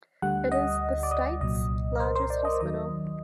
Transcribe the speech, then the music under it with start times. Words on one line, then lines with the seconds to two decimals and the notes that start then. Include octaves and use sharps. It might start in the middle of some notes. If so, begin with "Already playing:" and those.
It is the state's largest hospital.
0.22 D2 D3 G3 F#5
0.52 D#5
1.03 D5
1.11 D#5
1.41 C2 A#2 F#3 D#5
1.95 A#4
2.00 C5
2.15 C5
2.30 D5
2.45 D#5
2.60 D#2 D#3 F#3 D#5